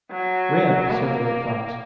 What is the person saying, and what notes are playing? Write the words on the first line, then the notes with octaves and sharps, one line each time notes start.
"Rim," said the Red Fox.
F#3
A#3